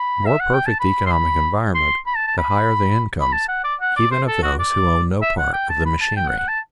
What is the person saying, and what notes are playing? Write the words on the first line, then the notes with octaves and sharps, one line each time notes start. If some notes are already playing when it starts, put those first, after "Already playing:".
The more perfect the economic environment, the higher the incomes even of those who own no part of the machinery.
Already playing: B5
E5
F#5
G5
A5
B5
C6
B5
C6
B5
A5
A5
B5
B5
A5
F#5
D5
F#5
D5
C5
A4
F#4
D5
E5
F#5
G5
A5
B5
A5
G5
F#5
F#5
A5